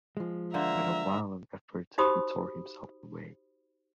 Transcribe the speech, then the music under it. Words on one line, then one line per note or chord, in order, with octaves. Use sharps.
And with a violent effort he tore himself away.
F3 G#3
D3 A#3 C5 E5 A#5
D#4 F#4 G4 C5 B5 D#6